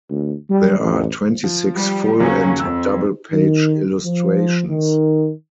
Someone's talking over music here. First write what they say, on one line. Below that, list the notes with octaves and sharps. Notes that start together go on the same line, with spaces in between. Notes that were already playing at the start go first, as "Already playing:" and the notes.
There are twenty-six full and double page illustrations.
D2
G3
A1
F3
G3
D#2 C#3 F#3 A#3 C#4
F2 E6
D#3
F3
D#3